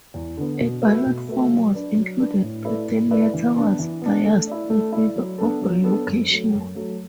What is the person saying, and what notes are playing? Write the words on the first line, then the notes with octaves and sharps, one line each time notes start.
A ballot form was included but the letter was biased in favour of relocation.
E2
D3 B3
B2
A3 F#4 B4 E5
B2
A3 F#4 B4 E5
F#3
D4 B4 D5
F#3
D4 B4 D5
A2
A3 E4 B4 D5
A2
A3 E4 B4 D5
E3
B3 D4
E3
B3 D4
A3
E4 D5
A3
E4 D5
F#3
B3 D4 A4
F#3
B3 D4 A4
F#2
F#3 A3
F#2
F#3 A3